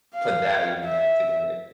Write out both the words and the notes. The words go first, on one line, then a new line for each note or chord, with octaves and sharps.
put that even back together.
F5
E5